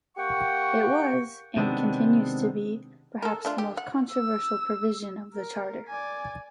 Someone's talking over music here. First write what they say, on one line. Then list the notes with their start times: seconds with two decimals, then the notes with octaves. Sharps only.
It was, and continues to be, perhaps the most controversial provision of the Charter.
0.18 A#3 G4 F#5 G5 C#6
1.56 C3 D#3 G#3 B3 C4 D4
3.22 A4 A#4
3.45 A3 D4 F4
3.58 G4
3.77 F#5
4.12 E6
5.34 A#4
5.88 D5 G#5